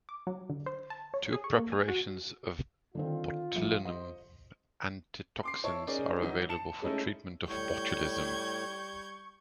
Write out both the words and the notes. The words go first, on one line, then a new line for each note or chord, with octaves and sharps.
Two preparations of botulinum antitoxins are available for treatment of botulism.
D6
F#3
D3
C5
A5
C#5
G#4
C#6
A#3
G#5
F#4
D3 D#3 C4 F4
A#1 G2 C#7
F2 C5 D#5
C6 D6 C7
E4 C#5 A5 C#6
C#4 D#4 G#4 A#4 D5
E3 F#3 D#4
A5 C#7 E7
G#3 A3 C#4 D#4 E4 A4
A2 G3 C#6 G6 G#6